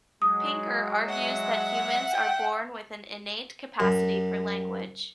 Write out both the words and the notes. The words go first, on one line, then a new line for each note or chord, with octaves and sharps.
Pinker argues that humans are born with an innate capacity for language.
F#3 G#3 D#6
E5 F#5
G5
F#2